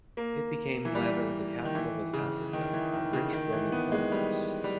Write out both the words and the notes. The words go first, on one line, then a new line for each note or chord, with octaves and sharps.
It became latter the capital of Africa, a rich Roman province.
A#3
E3
G3
D#3
E3
C#3
D#3
E3
D#3
C#3
D#3
E3
B3
G#3
G3
G3